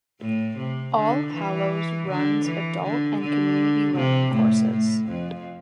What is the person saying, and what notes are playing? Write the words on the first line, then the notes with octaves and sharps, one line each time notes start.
All Hallows runs Adult and Community Learning courses.
A2
C3
D3
E3
D3
E3
D3
D3
C3
A2
A2
F2